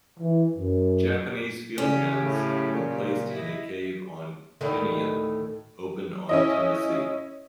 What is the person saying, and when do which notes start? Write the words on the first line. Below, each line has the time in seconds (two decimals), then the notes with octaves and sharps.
Japanese field guns, emplaced in a cave on Tinian, opened on "Tennessee".
0.20 E3
0.56 F#2
1.78 C#3 F#3 C#4 G4
2.22 A2
2.73 A#2
3.30 E4 D#5
4.61 D2 A2 D#3
6.29 C#4 E4 D#5